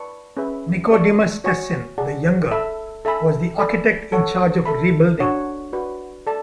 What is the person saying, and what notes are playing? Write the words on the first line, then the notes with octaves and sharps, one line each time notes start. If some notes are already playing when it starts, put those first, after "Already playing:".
Nicodemus Tessin the Younger was the architect in charge of rebuilding.
Already playing: B4 D5 A5 C#6
C#4 G#4 B4 E5
G#4 D5 A5 C#6
F#4 C#5 G#5 C#6
G#4 D5 F#5 A5
A4 E5 B5
A4 E5 G#5 B5
A4 D5 G#5 B5
A4 C#5 F#5
A4 E5 B5
D4 F#4 C#5 F#5
F#4 B4 D5
A4 D5 A5